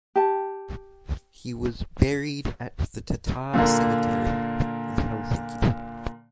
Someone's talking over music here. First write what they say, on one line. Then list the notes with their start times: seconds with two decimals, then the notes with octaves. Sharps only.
He was buried at the Tatar cemetery in Helsinki.
0.16 G4 A5
3.53 A#2 D3 A#3